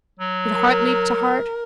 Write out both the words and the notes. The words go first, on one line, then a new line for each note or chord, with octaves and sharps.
Did heart leap to heart?
F#3
A#4